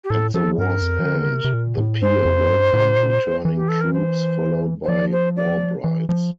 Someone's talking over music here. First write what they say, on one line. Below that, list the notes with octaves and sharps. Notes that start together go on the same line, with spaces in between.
At the war's end the Pier welcomed returning troops followed by war brides.
G4
A2 A4
F3 A4
G2 A#4
F2
E3
D3
C3
C3
A#2
A2
G2 C5
F2
G2
A2
A#2
E3
G4
A4
A#4
C5
C5
F3 D5
C5
D5
E3
F3